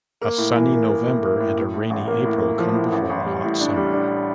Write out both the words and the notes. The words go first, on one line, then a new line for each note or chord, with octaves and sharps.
A sunny November and a rainy April come before a hot summer.
A#3
A2
E3
A#3
A#3
A2
A#3
A2
A2
A2
A1
A#3
A2
A#3
F3
A2
A1
A1
G3
A2
D4
G3
D4